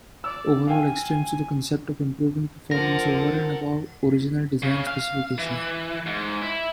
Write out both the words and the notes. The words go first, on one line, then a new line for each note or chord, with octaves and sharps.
Overhaul extends to the concept of improving performance over and above original design specification.
D5 E6
F5 G5 G#5
D3 F3 A4 A#4 F#5 A#6
C#3
F5
E3
G#2
E4